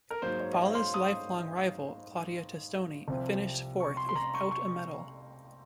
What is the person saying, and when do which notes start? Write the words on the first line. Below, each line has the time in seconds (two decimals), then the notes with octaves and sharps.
Valla's lifelong rival, Claudia Testoni, finished fourth, without a medal.
0.10 A#4
0.22 G#2 F#3 A#3 C5
0.40 C#5
0.53 D#5
0.58 F5
0.75 C6
0.94 D#6
3.08 C2 C3 F3 C4
3.80 C#6
3.97 C6
4.09 C6
4.16 A#5
4.34 C#6
4.51 C#6